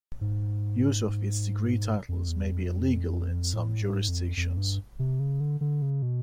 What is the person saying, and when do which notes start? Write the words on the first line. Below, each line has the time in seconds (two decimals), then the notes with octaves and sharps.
Use of its degree titles may be illegal in some jurisdictions.
0.21 G#2
2.09 F2
2.28 E2
2.50 F2
3.53 A2
3.81 G#2
4.08 F2
4.37 F2
4.57 G2
4.99 C3
5.20 C#3
5.40 D3
5.61 D3
5.82 C#3
6.02 B2